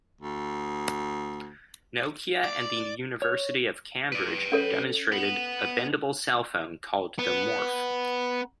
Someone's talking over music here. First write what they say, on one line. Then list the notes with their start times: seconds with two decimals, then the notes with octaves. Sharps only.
Nokia and the University of Cambridge demonstrated a bendable cell phone called the Morph.
0.21 D2
2.44 D5
3.22 C#5
4.12 B4 D5
4.52 C#4 A4 C#5
5.12 B3
7.18 B3